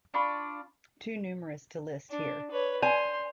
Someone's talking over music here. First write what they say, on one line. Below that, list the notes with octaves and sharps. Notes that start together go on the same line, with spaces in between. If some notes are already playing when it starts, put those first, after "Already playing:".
Too numerous to list here.
D4 F4 B5 C#6
D4
B4 C#5
D5 G#5 C6